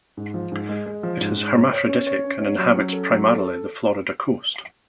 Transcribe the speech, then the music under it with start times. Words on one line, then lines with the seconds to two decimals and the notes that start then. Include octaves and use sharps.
It is hermaphroditic and inhabits primarily the Florida coast.
0.17 G#2
0.34 F3
0.52 G#2
0.69 G#3
0.86 G#3
1.03 F3
1.21 G#2
1.38 G#2
1.55 C#5
1.72 C#5
1.89 C#4
2.07 C#5
2.24 C#4
2.41 C#5
2.58 F#3
2.75 C#4
2.93 A4
3.10 F#3
3.28 A4
3.44 A4